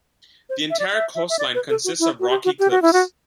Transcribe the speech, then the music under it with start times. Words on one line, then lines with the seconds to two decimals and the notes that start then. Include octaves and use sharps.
The entire coastline consists of rocky cliffs.
0.50 C5
0.70 E5
0.79 D5
0.94 E5
1.15 E5
1.30 E5
1.39 D5
1.55 B4
1.70 A4
1.85 F#4
2.00 E4
2.20 F#4
2.30 G4
2.45 F#4
2.59 G4
2.71 F#4
2.82 E4
2.93 F#4